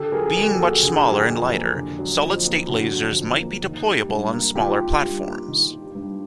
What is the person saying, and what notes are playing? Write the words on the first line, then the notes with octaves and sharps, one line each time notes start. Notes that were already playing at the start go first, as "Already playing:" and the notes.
Being much smaller and lighter, solid state lasers might be deployable on smaller platforms.
Already playing: D3 G4 A4
F#3 G#4 A#4
G#4
F2 G4 A4
A4
A#3 F#4 G#4
D3 G#4
G4
F#3 F#4 G#4
F2
A#3
D3
F#3
F2
A#3
D3 F#4
F#3
F2
A#3
D#3
G3
G2
A#3
D#3 F4 G4
G3
G2
A#3
D#3
G3
G2